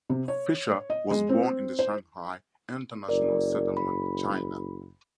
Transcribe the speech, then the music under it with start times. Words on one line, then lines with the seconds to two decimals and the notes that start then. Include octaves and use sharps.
Fischer was born in the Shanghai International Settlement, China.
0.10 C3
0.28 C#5
0.90 D#5
1.11 G#3
1.29 C4
1.79 C5
3.08 F#1 A#4 D5
3.77 B5